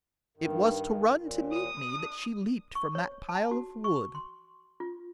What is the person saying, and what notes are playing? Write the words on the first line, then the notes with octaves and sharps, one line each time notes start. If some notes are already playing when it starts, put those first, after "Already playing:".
"It was to run to meet me that she leaped from that pile of wood."
G2 D#3
D#2 A#2
D#6
D4
C#6
C#5
A5
F#4
C#6
C6
F4